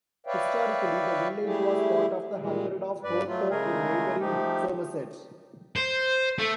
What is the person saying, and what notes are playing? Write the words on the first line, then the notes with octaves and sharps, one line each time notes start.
Historically the village was part of the hundred of Horethorne in neighbouring Somerset.
B4 C#5 D5 E5 F5 G5
G3 A3 E4 G4 G#4
A#2 G3 G#3
G2 B4 D5
F#3 A3 F4
C#3 G#3 A3 G#4 A#4
F3 A3 D#4 G4
C5
A3